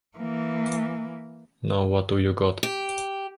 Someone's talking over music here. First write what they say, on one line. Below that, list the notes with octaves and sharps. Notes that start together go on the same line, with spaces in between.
Now what do you got?
E3 A#3
G4